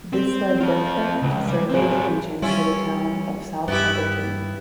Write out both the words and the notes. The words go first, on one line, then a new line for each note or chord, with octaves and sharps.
This led Birkbeck to survey the region for the town of South Heberton.
C4
C4 F4
C#2
G3
C4 G#4
G3 C#4 E4 F4
G2 B3 E4 G4